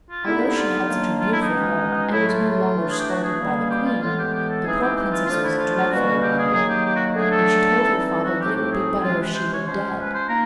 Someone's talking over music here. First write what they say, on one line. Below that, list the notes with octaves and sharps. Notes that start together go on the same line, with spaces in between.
Although she had such a beautiful home, and was no longer scolded by the queen, the poor princess was dreadfully lonely, and she told her father that it would be better if she were dead.
F4
D3 G3 B3 D#4 E4
F4
D#3 F#3 A#3 D4
F4
E4
D#4
B2 G#3 C#4
A2 F#3 A3 E4
F4
E3 A3 D4
G#4
G4
F#4
G#4
B2 G3 A#3 C#4
G4
F4
A2 E3 G#3 B3 F4
G4
G4
A4
E3 G#3 C4 D#4 G#4
G4
G4
F4
D3 F3 A3 D4 F4
E4
F4
F4
B2 G3 A#3 C#4 F#4
G4
G#4
D#3 F#3 A#3 G#4
G4
G4
F#4
D3 F#3 A3 D4 G#4
A4
E3 G3 C4 D#4
A4
F#4
A2 F3 A3 C4 D#4 G4
G4
G#4
C3 E3 G#3 C#4 F4
B4
C5
C#5
F3 G#3 C#4 C5
B4
C5
A#3 D#4 A#4